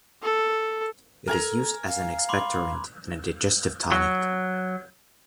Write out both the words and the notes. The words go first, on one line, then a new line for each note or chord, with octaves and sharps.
It is used as an expectorant and a digestive tonic.
A4
A4 A#4 G#5 A#5
F5
B5 C6 D6
F#3